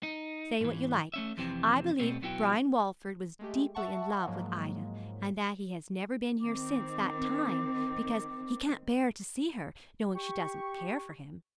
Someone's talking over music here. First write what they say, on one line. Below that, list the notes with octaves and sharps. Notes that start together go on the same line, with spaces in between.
'Say what you like, I believe Brian Walford was deeply in love with Ida, and that he has never been here since that time, because he can't bear to see her, knowing she doesn't care for him.'
D#4
G#2 E3
A3 C#4 E5
F2 C3 E3 C4
B2 G3 A3 B3 C4
B1 B3 E4 F#4 G5
G#3 A3 G4
E5 F#5 A5 C#6
G#2 F3 F#3 G#3 A#3
D#3 C4 D6
G4 C#6